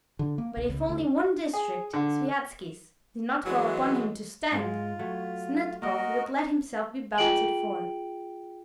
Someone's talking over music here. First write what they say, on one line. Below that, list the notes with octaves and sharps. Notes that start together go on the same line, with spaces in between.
But if only one district, Sviazhsky's, did not call upon him to stand, Snetkov would let himself be balloted for.
D3
A#3
B1
C#2
D2
G#4
D3
E3 F#3 G#3
G#2 G#3 F4
F#3 A3
A#3 F#4 A#4 D#5
F4 G#4 G5 D7 F#7